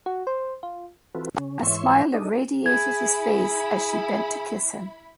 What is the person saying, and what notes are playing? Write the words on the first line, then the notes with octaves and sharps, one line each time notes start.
A smile irradiated his face as she bent to kiss him.
F#4
C5
F4
E3 C4 F4 F#4 A4 B4
C#3 C#4
G#2 E3 C#5 E5 C6 C#6
D4 D#4 G#4 A4 D5 D#5
E4 G#4 B5 G#6